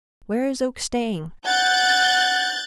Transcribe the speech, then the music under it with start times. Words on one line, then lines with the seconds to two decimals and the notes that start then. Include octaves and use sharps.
"Where is Oak staying?"
1.46 F#5 F#6 G6 A6